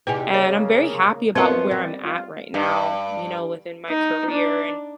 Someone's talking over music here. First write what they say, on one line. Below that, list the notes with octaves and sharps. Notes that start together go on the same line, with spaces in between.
and I'm very happy about where I'm at right now, you know, within my career, and,
E2 C3 D#4 G4 B4 G#5
C#3 A#3 C#5 D#5
F#2 F3 B3 C4 A#4 C#5 D#5 C6
G3
F4
G2
D#4
D4